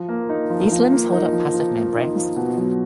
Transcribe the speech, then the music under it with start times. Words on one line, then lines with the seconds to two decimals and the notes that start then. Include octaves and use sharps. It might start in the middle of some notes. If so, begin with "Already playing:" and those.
These limbs hold up passive membranes.
Already playing: F3
0.08 A#3
0.29 D#4
0.50 F3
0.71 F3
0.92 A#3
1.12 D#4
1.32 F3
1.54 F3
1.75 A#3
1.95 D#4
2.16 F3
2.36 B2
2.58 F#3